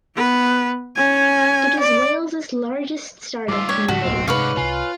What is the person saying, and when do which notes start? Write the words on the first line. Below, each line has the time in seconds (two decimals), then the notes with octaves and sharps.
It is Wales’s largest startup community.
0.15 B3 B4
0.96 C#4 G#5
1.80 D5
3.48 G#2 G3 F4 D6 E6
3.69 D2 G4 C#5
3.88 D#2 G#2 C#3 F3 A3 F#4
4.03 D1 B1 G#3 A#3 C4 E7
4.28 G#2 C3 B4 C#5 D5 F5 F#5
4.57 C2 C3 F4 G#5